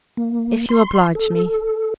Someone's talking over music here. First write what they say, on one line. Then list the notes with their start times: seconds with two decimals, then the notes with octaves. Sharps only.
"If you oblige me."
0.17 A#3
0.69 C6
1.15 A4